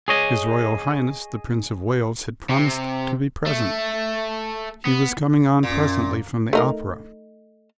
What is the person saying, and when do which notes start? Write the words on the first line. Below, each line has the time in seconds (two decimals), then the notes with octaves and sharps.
His Royal Highness the Prince of Wales had promised to be present. He was coming on presently from the opera.
0.08 G#4 C#5 D#5
2.50 C3
3.46 A3
4.85 B3
5.63 F#2 A#2
6.53 A3 D#4 A#4